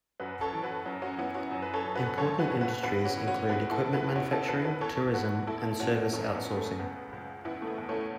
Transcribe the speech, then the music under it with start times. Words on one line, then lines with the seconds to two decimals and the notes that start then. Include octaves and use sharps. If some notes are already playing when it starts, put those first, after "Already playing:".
Important industries include equipment manufacturing, tourism, and service outsourcing.
0.20 F#2 F#4 B4
0.41 A4 C#5
0.53 E3
0.63 F#4 B4
0.86 F#2
1.02 C#4 F#4
1.18 F#2 B3 E4
1.35 C#4 F#4
1.51 F#2
1.62 B4
1.74 A4 C#5
1.84 F#2
1.95 F#4 B4
2.17 C#2 A4 C#5
2.39 F#4 B4
2.51 C#2
2.61 F#4 B4
2.83 E2 F#4 B4
3.05 C#4 F#4
3.16 E3
3.27 C#4 F#4
3.49 E2 F#4 B4
3.71 E4 A4
3.82 E3
3.93 F#4 B4
4.15 E2 C#4 F#4
4.31 E4 A4
4.48 E2 F#4 B4
4.65 F#4 B4
4.81 E2 A4 C#5
5.14 E3 F#4 B4
5.47 E2 E4 A4
5.71 A4
5.80 E2 C#4 F#4
6.13 F#2 A3 C#4
6.35 B3
6.46 F#2
6.57 A3
6.79 C#2 B3
7.12 C#2
7.45 E2 B3 E4
7.62 A3
7.67 B3
7.78 E2
7.89 A3 C#4